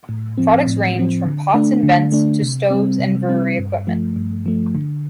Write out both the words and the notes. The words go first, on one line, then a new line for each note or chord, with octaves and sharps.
Products ranged from pots and vents to stoves and brewery equipment.
A2
F3 C4
A2
F3 C4
D3
A3 D4
D3
A3 D4
C3
G3 C4
C3
G3 C4
G2
F3 A3
G2
F3 A3
D3